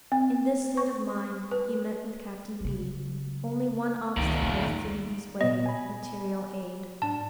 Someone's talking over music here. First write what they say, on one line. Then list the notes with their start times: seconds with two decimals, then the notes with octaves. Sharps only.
In this state of mind he met with Captain B. Only one obstacle stood in his way--material aid.
0.12 C4
0.77 C#6
1.51 B4
2.61 C#3 F#3
4.17 C#2 A#2 D#3
4.42 E2 A3
5.41 A#2 B3 D#5
5.66 G#5 B5
7.02 G#2 D4 A5